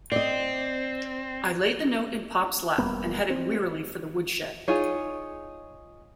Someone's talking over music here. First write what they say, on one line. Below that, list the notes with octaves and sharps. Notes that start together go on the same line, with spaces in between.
I laid the note in Pop's lap and headed wearily for the woodshed.
C4 D5 D#5
E1 G3 A#3 B3
C4
D#4 F4 G#4 C#5